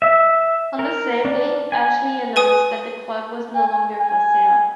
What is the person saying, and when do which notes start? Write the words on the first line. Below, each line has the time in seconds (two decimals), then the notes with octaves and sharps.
On the same day, Ashley announced that the club was no longer for sale.
0.02 E5
0.79 A#4
1.25 D4
1.72 G#5
2.36 B4 G#5 D#6
3.55 G#5
4.00 G#5